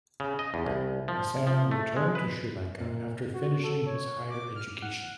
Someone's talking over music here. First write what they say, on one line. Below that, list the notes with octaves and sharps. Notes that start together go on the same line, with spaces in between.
Hassan returned to Sri Lanka after finishing his higher education.
C#3
D#5
E2
C2
F3
F3
A3
G#3
B4
A#2
F#4
A4
C#5
D6
F6
F#5